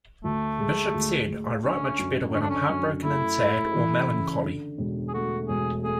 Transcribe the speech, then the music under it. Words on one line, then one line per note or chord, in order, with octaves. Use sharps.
Bishop said: I write much better when I'm heartbroken and sad or melancholy.
D2 A3
G#3
D2
D2
D3 C#4
F#2
D3 C#4
D4
C#4
F#2
A3 E4
A3
E3
C#3
D3
E1
G#4
A3 F#4
E1 G#4
A3 G#4